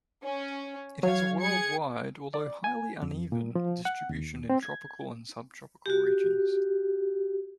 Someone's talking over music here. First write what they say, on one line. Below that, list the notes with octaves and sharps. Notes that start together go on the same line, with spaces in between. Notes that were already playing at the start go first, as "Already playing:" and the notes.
It has a worldwide, although highly uneven, distribution in tropical and subtropical regions.
C#4
F#3 C#5 F5 G#6
G#4 G#6 C#7
D5
G#5
F2
A#2
F3
F#5
D#2
C4
G#6
F#4 G4